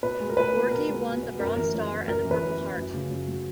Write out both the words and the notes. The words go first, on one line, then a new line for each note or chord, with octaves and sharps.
Borghi won the Bronze Star and the Purple Heart.
B2 B4
G#3
A#4
B2 B4
B3
B2 A#4
G#3
B2
B3
F#2 A#4
E3 A#4
F#2
B3
F#2 A#4
E3
B4
F#2
B3
F#2
C#3
F#2
F#3